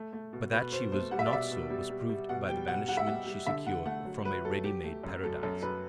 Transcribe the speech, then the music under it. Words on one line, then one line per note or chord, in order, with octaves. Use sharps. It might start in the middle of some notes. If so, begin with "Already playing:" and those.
But that she was not so was proved by the banishment she secured from a ready-made Paradise.
Already playing: A3
A3
B2
B2 B4
B2 C5
A3 C5
G3 F#5
E5
D5
B2 E5
B2
G3
G3
G3
B2 F#5
G3 G5
B2 F#5
G3 F#5
E5
G3 F#5
G3
D3 E5
D3 F#5
A3 F#5
F#3
F#3 B4
F#3 A4
F#3 G4
A3
F#2
F#3 A4
F#2 A4
F#2 B4